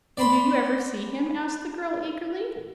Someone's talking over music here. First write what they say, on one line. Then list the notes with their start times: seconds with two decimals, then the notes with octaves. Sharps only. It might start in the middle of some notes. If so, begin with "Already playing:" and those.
"And do you ever see him?" asked the girl, eagerly.
0.17 D5 B5 C6